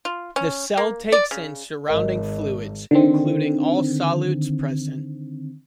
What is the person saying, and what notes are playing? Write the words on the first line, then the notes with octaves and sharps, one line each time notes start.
The cell takes in surrounding fluids, including all solutes present.
F4
C#4
A#3
D5
C#3
G#1 A#4 D#5
D3 D#3 C4